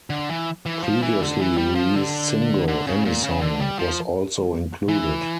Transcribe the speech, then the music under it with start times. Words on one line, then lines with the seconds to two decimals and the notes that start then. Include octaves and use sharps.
Previously released single "Any Song" was also included.
0.10 D3
0.29 E3
0.66 E3
0.84 F3
1.02 E3
1.20 D3
1.40 E3
1.58 G3
1.75 F3
1.95 D3
2.68 D3
2.87 C#3
3.05 A#2
3.24 C#3
3.41 D3
3.60 G3
3.79 F3
4.89 E3